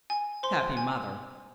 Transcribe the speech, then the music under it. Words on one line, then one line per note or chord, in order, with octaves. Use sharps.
Happy mother!
G#5
C5 C6
G#5